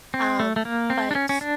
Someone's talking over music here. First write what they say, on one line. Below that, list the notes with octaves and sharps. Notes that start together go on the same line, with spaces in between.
um, but,
C4
A3
A3
A#3
C4
D4
C#4
C#4
D4